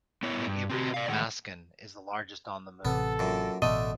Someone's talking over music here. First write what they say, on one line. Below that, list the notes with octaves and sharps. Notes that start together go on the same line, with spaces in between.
The Imbrium mascon is the largest on the moon.
B3 E4 C#5
G2
C4 F#4
D5 F5
A2 D#3 G#3 F#5
A1 C3 B3 A4
F#2 A#2
A1 B2 D3 A3 D#5